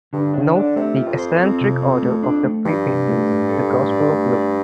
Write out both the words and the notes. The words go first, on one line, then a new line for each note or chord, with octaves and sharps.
Note the eccentric order of the prefaces to the Gospel of Luke.
G2 D3
A2 D4
D3 D4
C3 A3
F4
F2
C5
C4
C3
C4
A3
D4
A3
G2 F3
C3
A3
A2
A4
A2
D5
A3
D5